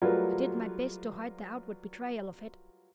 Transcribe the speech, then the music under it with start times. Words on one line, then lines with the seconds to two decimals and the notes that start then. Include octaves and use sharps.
I did my best to hide the outward betrayal of it.
0.02 F#3 G3 A3 F4 A#4 B4